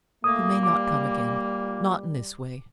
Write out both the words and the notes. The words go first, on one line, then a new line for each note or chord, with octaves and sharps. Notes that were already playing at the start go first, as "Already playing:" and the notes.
You may not come again,--not in this way.
A#2 A3 A#3 D#6
G3 D6